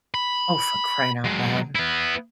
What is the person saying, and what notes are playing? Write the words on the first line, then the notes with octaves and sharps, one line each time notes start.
Oh, for crying out loud.
B5
F#3 G#3
B3 E4